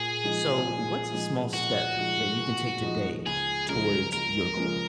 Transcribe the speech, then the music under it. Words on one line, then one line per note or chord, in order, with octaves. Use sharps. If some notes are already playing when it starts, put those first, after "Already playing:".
So, what's a small step that you can take today towards your goal?
Already playing: A#2 G#4
F3 G#3 D#4
A#2
F3 G#3 D#4
A#2 F#4
F3 G#3 D#4
A#2
F3 G#3 D#4
C#2 G#4
C#3 F3 G#3 A#4
C#2 A#4
C#3 F3 G#3